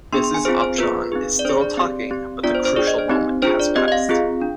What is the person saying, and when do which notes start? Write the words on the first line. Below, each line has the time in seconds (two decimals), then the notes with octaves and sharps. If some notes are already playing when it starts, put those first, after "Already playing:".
Mrs Upjohn is still talking but the crucial moment has passed.
0.12 B3 D4 G#4 C6
0.24 C6
0.34 G#5
0.45 C4 F4 G#4 C5
0.62 C5
0.78 B3 F4 G#4 B4
1.12 C4 D#4 G#4
1.39 D5
1.45 D4 G#4 C5
1.61 D5
1.77 C4 G4
2.11 C4 G4
2.43 B3 D4 F4 D5
2.55 C5
2.65 C5
2.76 D4 G#4 D5
2.87 D#5
2.99 C5
3.09 C4 D#4 G4
3.42 D4 F4 G#4 C5
3.59 D5
3.76 C4 G4 D#5
3.88 D#5
3.92 F5
4.09 C4 F4 G#4
4.41 D4